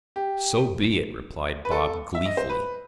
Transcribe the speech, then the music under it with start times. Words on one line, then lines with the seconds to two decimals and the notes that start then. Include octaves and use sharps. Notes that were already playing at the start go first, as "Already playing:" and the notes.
"So be it," replied Bob gleefully.
0.16 G4
1.65 B4
1.71 A4
2.15 E5
2.26 D#5
2.37 C5
2.50 B4